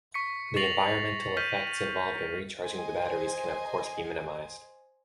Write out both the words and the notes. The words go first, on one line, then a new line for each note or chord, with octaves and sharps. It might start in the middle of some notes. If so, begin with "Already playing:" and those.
The environmental effects involved in recharging the batteries can of course be minimised.
C#6 B6 C#7
C#6 A6 A#6 C7 F7 F#7
F6 G6 B6 D#7
C5 D#5 G#5